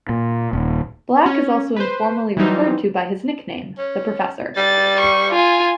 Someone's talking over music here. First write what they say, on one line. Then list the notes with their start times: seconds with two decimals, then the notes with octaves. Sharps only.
Black is also informally referred to by his nickname, The Professor.
0.09 A#2
0.53 D#1
1.26 C#4
1.76 B4 C5
2.37 E3 F#3 G3 D#4 C5
3.78 C#4
4.57 G3 A6
5.01 C#6
5.31 F4 G#5